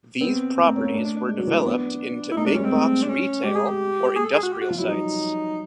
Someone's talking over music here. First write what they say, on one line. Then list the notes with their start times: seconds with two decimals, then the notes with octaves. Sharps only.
These properties were developed into big-box retail or industrial sites.
0.21 B3 C4
0.57 A#3
0.66 A3
0.76 C#4
0.84 A#3
0.93 A3 D4
1.05 D4
1.17 D4
1.29 G#3 D4
1.38 F#3
1.47 E3
1.56 A#3
1.65 B3
2.32 E4
2.36 A3 D#4
2.45 G#3 D4
2.54 G3 C#4
2.63 G#3 C4
2.72 A3
3.02 D4
3.09 C#4
3.44 G#3 G4
3.55 G#4
3.67 G4
4.16 G#4
4.24 A4
4.33 G#4
4.43 F#4
4.52 G4
4.61 F#4
4.70 F3 F4
4.79 F#3 E4
4.87 G3 D#4